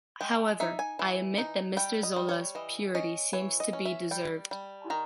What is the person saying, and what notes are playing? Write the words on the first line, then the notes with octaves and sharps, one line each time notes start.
However, I admit that Mister Zola’s purity seems to be deserved.
G#3 G5
D#4 E5
G#5
E3
D#4
G3 G5
D#5
G3
C#5
E3 D#5
C#4 D#5
E3 C#5
D#5
C#4
E5
G3 G5
G3
D#3 A#5